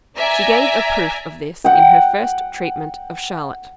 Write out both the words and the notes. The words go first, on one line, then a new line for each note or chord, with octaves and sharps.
She gave a proof of this in her first treatment of Charlotte.
D5 E5 G#5 A#5
F#5 G5